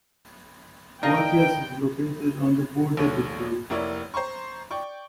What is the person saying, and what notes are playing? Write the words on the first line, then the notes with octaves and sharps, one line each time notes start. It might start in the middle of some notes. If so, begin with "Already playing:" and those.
Huaquillas is located on the border with Peru.
D#4 A#4 D5 D#5 F5 G5
A#1 D#2 A3 C#5
F1 A#3 E4 C#5 D5
C5 A#5 C6 C#6
D5 G5 C#6